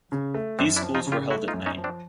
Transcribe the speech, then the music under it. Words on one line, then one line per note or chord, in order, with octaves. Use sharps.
These schools were held at night.
C#3
A3
F#2 C4 D4
D4 E4
F3
D#4 F4
C#3
F4 G4
A3 E4 F#4
D#4 F4
F#2
C#4 D#4
F3
C4 D4